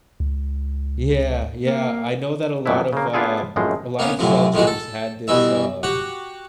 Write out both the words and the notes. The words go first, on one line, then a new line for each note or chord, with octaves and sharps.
Yeah, yeah, I know that a lot of, um, a lot of shelters had this, um
C#2
A#3
F#2 A#2 G3 A3 B3 E4
C#3 A#3
B3 D4 E4 F4 G#4 A4
G#1 F#2 A2 F3 G#3
A#3 B3 C#4
F#2 A2 C3 F3
A2 F3 G#3 F#4
A4
C2 B2 E3 E5
F#4 G4 F#5